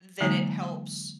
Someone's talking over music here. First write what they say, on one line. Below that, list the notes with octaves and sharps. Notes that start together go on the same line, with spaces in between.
that it helps
D3 E3 F#3 G#3 A#3 D#4